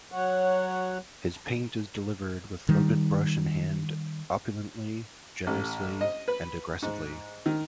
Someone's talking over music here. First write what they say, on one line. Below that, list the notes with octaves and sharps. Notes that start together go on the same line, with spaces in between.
His paint is delivered with loaded brush in hand, opulently, generously and aggressively.
F#3 C#5 F#5
D#3 G3
A1
D#5
B4
G#2
D#3